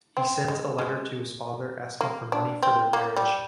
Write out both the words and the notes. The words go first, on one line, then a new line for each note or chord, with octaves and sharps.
He sends a letter to his father asking for money for their marriage.
C4
G#3
G#3
A#3
D4
C4
A#3
G3